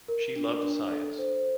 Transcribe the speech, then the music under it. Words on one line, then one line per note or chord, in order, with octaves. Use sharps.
She loved science.
A#4
D4
D4
A4
C5